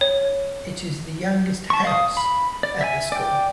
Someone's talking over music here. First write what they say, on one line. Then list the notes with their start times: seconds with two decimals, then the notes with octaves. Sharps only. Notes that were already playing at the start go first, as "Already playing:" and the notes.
It is the youngest House at the school.
0.01 C#5
1.70 A5 C#6
1.85 F5 D#6
2.17 B5
2.63 D5
2.81 E5 G#5
3.12 D5 G5